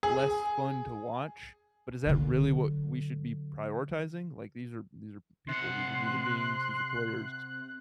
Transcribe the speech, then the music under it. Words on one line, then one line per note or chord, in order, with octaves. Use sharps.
less fun to watch, but is that really what we should be prioritizing? Like, these are these are people, these are human beings, these are players
G#4
D3 F#3
C3 F#5 C6 F#6